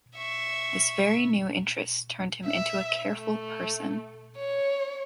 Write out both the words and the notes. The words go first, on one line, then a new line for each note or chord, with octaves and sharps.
This very new interest turned him into a careful person.
E5 C#6
E5
A3
C#5